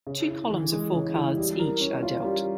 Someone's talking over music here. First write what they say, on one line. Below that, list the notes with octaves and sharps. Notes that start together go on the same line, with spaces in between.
Two columns of four cards each are dealt.
C#3
E4
E3
G#3
C#3
E4
G3
A#4
C#4
F4
G3